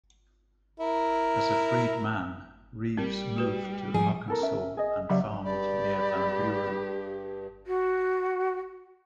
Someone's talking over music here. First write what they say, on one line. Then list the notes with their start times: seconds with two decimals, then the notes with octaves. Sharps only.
As a freedman, Reeves moved to Arkansas and farmed near Van Buren.
0.80 E4 A#4
2.98 G3 C4 A#4
3.38 F#4 B4
3.94 G#2 F3 G#4
4.28 E4 A4 A#4
4.42 C#4 A#4 E5
4.77 G#4 D#5
5.10 C#3 F#3 G4 D5 E5 B5
5.45 G2 G4 G#4 D5 B5
7.67 F#4